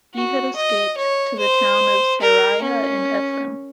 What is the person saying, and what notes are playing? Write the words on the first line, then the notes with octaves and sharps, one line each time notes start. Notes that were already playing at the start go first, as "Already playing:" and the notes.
Ehud escaped to the town of Seraiah in Ephraim.
F#4
D#5
C#5
C5
A#4
C#4